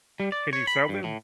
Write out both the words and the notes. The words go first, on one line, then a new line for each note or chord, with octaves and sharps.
Can you sell them?
G3
D5
C#5
B5
G2
A2